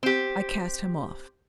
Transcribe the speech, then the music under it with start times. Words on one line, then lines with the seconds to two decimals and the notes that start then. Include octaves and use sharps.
I cast him off.
0.03 C4 G4